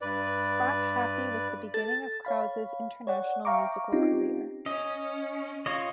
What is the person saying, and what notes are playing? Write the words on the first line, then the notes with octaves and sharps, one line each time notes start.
Slapp Happy was the beginning of Krause's international musical career.
G2 B4 D5
A4 A6
C#5 F5 B5
C#5 D5 F#5
E5 F5 G5 A#5 C#6 D6
C4 C#4 D#4 F4 G4
C#4 D#5
F4 C#5 D#5